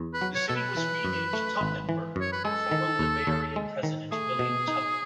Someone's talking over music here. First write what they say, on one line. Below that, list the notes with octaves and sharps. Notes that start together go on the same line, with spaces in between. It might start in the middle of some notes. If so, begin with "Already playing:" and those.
The city was renamed Tubmanburg for former Liberian president William Tubman.
Already playing: E2
B4
F#3
C#5
B2 A4
B4
E3
F#2
A3
G#1
E3
F#2 C#5
B4
G#3 A4
D#3
D#2
D#2
G#3
D#3
A3 G#4
B2
D#4